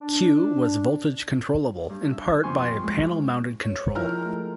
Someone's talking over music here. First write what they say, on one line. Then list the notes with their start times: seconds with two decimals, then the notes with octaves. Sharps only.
Q was voltage-controllable, in part by a panel-mounted control.
0.02 D4
1.90 G2
2.11 E5
2.43 F2 D#3 B3 G#5 C6 C#6
2.83 G#3
3.61 C#5
3.95 F3 G#3 E4 A#4 G5 A#5 F6
4.26 A3